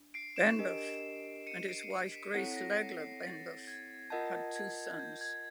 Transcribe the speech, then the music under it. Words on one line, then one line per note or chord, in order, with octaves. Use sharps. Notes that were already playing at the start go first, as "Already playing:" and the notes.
Benbough and his wife Grace Legler Benbough had two sons.
Already playing: D4
C7 D7
D7 E7
D4 G4 A#4 D#5
C#7 D#7
C7 D7
C#7 D#7
B6
C4 E4 A4 C#5 F#5
A#6
C7
C7
A6
G#6
F4 A#4 D#5 F#5 A5 G6
G#6
G6
G#6